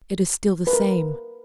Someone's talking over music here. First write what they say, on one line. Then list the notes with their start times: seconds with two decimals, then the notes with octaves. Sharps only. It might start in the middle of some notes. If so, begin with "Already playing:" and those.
It is still the same.
0.67 B4
0.73 A#4